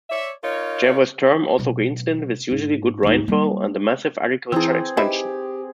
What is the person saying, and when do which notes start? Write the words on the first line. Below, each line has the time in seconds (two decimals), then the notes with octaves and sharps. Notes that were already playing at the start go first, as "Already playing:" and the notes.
Jervois' term also coincided with unusually good rainfall and a massive agricultural expansion.
0.10 C#5 D5 E5
0.44 D#4 F4 A#4 C#5
1.59 B2 F#3
2.51 G#2
3.03 D2 G#2
3.28 G3 A#3
4.52 E3 C4 E4 G#4 E6
4.97 D#4 G4 B4 E5